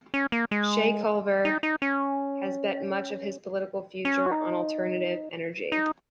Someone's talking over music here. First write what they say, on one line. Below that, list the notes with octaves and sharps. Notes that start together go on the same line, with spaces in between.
Chet Culver has bet much of his political future on alternative energy.
C#4
A#3
G#3
D#4
D#4
C#4
C#4
F#4
D#4
D#4